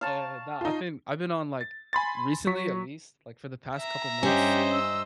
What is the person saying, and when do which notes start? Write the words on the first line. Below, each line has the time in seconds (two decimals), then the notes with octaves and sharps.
Eh, no, I've been I've been on, like recently at least, like, for the past couple months,
0.01 F5 A5 C#6
0.61 D#4 F4
1.61 A6
1.93 G#5 B5 C6 A6
2.47 F#3 C#6 B6
3.78 E5 A#5
4.23 G2 C#4 G4 C5 D#5
4.72 E6